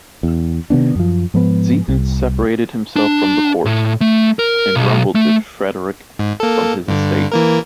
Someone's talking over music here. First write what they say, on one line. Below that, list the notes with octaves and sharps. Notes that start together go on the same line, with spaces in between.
Zieten separated himself from the court, and grumbled to Frederick from his estate.
E2
C3 D#3 B3 D4
F#2 F3
G#2 F3 G#3 B3
C2
D4
A2
A3
A#4
B1
A3
G#2
A#3 A4
G2 D3
E3 A#3 A#4